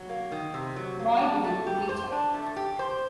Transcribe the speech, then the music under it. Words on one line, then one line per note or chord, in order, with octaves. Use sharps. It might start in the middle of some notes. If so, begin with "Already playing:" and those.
Boyd is an only child.
Already playing: F#3
A#3
D#3
C3
F#3
A#3
D4
A3
G4
C5
D4
A3
G4
C5